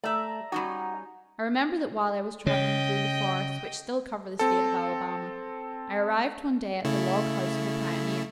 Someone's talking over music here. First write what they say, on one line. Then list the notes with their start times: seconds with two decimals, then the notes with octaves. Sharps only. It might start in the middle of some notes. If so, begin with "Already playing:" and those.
I remember that while I was travelling through the forests which still cover the State of Alabama, I arrived one day at the log house of a pioneer.
0.04 A3 D5 E5 A#5
0.52 G3 C#4 D#4 F#4
2.47 C#3 C#5 D#5 G5
4.39 C4 A4
6.85 C#3 A3 E4